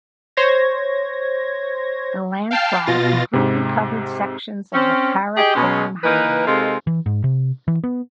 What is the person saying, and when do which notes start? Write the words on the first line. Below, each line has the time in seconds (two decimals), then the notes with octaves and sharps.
The landslide completely covered sections of the Karakoram Highway.
0.37 C5 C#5 G#6 A#6
2.51 F5 G5 A5 F6 C7
2.86 B2 F4 A6 A#6
3.33 G#2 C3
4.74 C4 C#4
5.37 G4 G#4 D#5
5.55 B2 G#3 C#4
6.04 E3 A#3 D#4 A#4 B4
6.46 C3 G#3 D#4 F4 A4 A#4
6.87 E3
7.06 G#2
7.24 C3
7.68 E3
7.84 B3